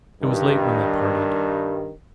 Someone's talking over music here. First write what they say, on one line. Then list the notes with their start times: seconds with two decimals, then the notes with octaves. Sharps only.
It was late when they parted.
0.22 G2 D#3